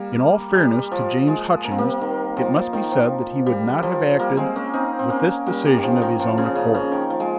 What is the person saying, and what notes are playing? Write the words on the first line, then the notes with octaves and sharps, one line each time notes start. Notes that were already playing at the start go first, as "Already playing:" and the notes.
In all fairness to James Hutchings, it must be said that he would not have acted with this decision of his own accord.
Already playing: G3 A#3
G3
F3
G#3
A#3
C4
G3 A#3
D#3
F3
D#3
F3
G3
F3
G3 A#3
G#3 C4
A#3 C#4
C4 D#4
C4
A#3 C#4
G3 A#3
G3
D#3
F3
D#3
F3
C#3
C#3
C#3
D#3
F3
G#3